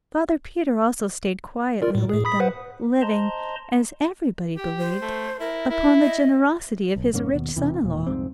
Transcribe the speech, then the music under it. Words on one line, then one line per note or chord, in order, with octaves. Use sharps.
Father Peter also stayed quietly with them, living, as everybody believed, upon the generosity of his rich son-in law.
F4 A#4 D5
A2 G3
A2 G#4
B5 D#6 B6
B4 C5 F#5
C5 D#5 A5 A#5 C6
G4 G5
C5
A3
E4 A#4
E4
D#5
B1
F1 G#2 A#3 C#4
D#2 B2
E1 C3 E3
E1 A#2
C2 F2 G#2 C4